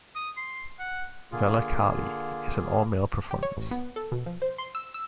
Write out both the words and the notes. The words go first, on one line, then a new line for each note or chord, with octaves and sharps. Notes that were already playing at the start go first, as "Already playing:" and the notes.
Velakali is an all-male performance.
D#6
C6
F#5
D3 A#3 F4 G#4
G4
C#5
A1
B3
A4
B2
F3
C5
C6
E6
E6